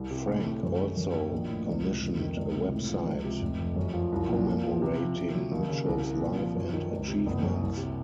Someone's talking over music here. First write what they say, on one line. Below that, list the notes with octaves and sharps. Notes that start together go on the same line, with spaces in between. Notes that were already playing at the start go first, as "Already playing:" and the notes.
Frank also commissioned a web site commemorating Mitchell's life and achievements.
Already playing: C2
C3
A2
A3
F#2
D#3
F#2
D#3
A#1
A2
C#2
C3
F2
D#3
C#2
C3
A2
F3
C#2
C3
F1
F2
F#2
F3
C2
A#2
A#2
F3
C3
F3
C3
F#3
D#2
C#3
C2
C3
A#2
F3
F#2
D#3
C#2
C3
F#1
F#2
C2
C3